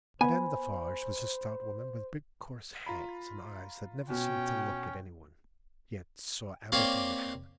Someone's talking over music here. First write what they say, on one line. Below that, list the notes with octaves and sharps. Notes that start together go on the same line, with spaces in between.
Madame Defarge was a stout woman with big coarse hands and eyes that never seemed to look at any one, yet saw everything that happened.
B3 C5 G#5 B5
F4 A#5 B5
B2 C#4 G5
A#3 C4 G4 C#5 D5 F5